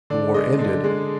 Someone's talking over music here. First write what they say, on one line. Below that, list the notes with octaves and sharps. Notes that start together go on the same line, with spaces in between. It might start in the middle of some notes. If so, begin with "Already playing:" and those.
The war ended.
D3 D5
G#3 D#5
D3
G#3